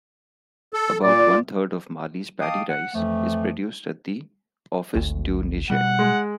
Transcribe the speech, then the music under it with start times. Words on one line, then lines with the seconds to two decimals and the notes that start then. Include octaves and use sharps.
About one-third of Mali's paddy rice is produced at the Office du Niger.
0.74 A4
1.03 A#2 D5
2.40 D#5 F5 G5 A5 D6 D#6
2.69 F#5
2.94 F2 E3 F3 A3
4.95 G#1 D2
5.70 B2 G3 F#5
5.99 G#3